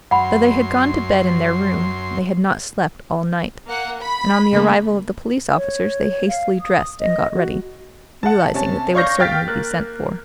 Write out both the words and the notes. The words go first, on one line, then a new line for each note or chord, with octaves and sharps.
Though they had gone to bed in their room, they had not slept all night, and on the arrival of the police officers they hastily dressed and got ready, realizing that they would certainly be sent for.
F#2 F#5 B5 C6
A#3 F#5
B5
C#3 A3 A#3
C#5
F5
D#6
D#5
F#4
F#5 A5
C3 C#4 A5
C#5 D5 F5 C#6 G6 A#6
F5 G5 F6 A6 B6
A#3 F#6